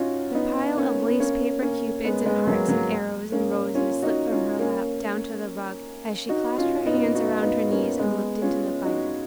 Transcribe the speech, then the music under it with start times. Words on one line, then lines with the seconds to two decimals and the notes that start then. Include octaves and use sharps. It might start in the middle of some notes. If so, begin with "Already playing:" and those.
The pile of lace-paper cupids and hearts and arrows and roses slipped from her lap, down to the rug, as she clasped her hands around her knees and looked into the fire.
Already playing: C#4 D#4 F4 F#4
0.35 B3 D#4
0.77 A#3 C#4
1.08 B3
1.20 A#3 C#4
1.62 A#3 C#4
2.04 G#3 B3
2.25 G#3 B3
2.47 F#3 A#3
2.68 F#3 A#3
3.32 A#3 C#4
3.75 C#4 F4
4.02 D#4 F#4
4.31 C#4 F4
4.59 A#3 C#4
6.29 D#4 F#4
6.58 C#4 F4
6.86 B3 D#4
7.15 D#4 F#4
7.42 B3 D#4
7.71 A#3 C#4
7.99 G#3 B3
8.42 C#4 F4
8.85 D#4 F#4